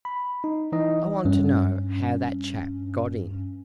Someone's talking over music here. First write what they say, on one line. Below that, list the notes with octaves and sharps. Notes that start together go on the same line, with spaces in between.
I want to know how that chap got in.
B5
D#4
E3 D#4 D#5
G2 C#4